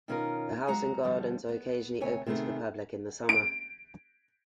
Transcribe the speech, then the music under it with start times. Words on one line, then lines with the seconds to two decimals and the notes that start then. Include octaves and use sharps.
The house and gardens are occasionally open to the public in the summer.
0.08 B2 D#3 C#4 F4 A4 A#4
0.68 F#3 G#3 F#4 F#5 A#5
1.03 D3 F3 G3
1.49 B3
2.01 D2 C3 C#5 G#5
2.26 C3 D#3 A3 B3 G#4
3.29 D7